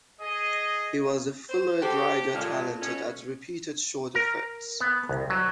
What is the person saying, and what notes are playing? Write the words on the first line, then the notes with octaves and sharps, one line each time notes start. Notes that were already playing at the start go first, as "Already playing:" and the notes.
He was a fluid rider talented at repeated short efforts.
G#4 D#5
C5
F#4 G4 A4 C5
A#2 G#3 F4 A4
B2 C#4
A#4
B3
C2
F#3